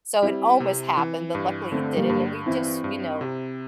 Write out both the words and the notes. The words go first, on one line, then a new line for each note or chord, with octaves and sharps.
so it almost happened but luckily it didn't and we just, you know
G3 C4 E4
C3
E3
G2
D3 A3 C4
G3 A#3
G2
E3 C4 E4
G2
C3